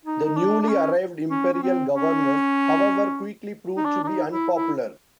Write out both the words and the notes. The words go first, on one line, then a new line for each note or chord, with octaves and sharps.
The newly arrived Imperial governors, however, quickly proved to be unpopular.
D#4
D#4
D4
D4
C#4
C#4
C#4
C4
C#4
D#4
D4
D4
D#4
E4
E4